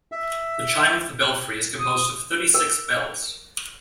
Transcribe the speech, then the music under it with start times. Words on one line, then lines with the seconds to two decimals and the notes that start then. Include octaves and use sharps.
The chime of the belfry is composed of thirty-six bells.
0.12 E5
1.79 D#6
2.54 A#4